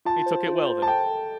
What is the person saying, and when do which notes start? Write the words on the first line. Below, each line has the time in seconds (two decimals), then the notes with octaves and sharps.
He took it well then.
0.05 F4 A5
0.26 C5
0.47 F4
0.66 C5
0.82 A5
0.87 A4 G5
1.08 A4